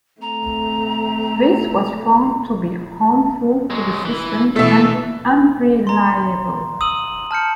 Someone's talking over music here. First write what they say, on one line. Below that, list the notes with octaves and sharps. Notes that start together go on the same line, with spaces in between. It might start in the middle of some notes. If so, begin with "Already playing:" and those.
This was found to be harmful to the system and unreliable.
A3 C4 A#5
F#3 G#3
E3
B2 E3 A3 A4 E5
A#5 C6
D#6 E6 D#7 F#7
A5 F6 G6 C#7